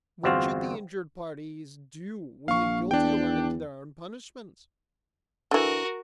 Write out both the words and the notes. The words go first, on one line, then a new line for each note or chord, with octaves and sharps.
What should the injured parties do when the guilty run into their own punishment?
G1 E2 C4 F4 F#4 F5
A#1 F5 C#6
E2 D4 G5
D3 E3 F#4 A#4